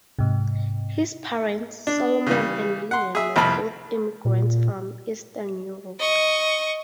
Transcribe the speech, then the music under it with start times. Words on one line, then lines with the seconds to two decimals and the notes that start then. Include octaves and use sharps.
His parents, Solomon and Lillian, were both immigrants from Eastern Europe.
0.19 G#2 C3
1.87 D4
2.27 C#3 E3 G3
2.91 F#5 C6
3.15 G#4 E5
3.36 C2 F2 C3 A5 B5 F6
4.25 A#2
5.99 D#5 C#6